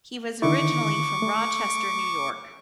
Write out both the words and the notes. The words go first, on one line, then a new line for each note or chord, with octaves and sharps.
He was originally from Rochester, New York.
D3 D#3 E4 C#6 D6
A3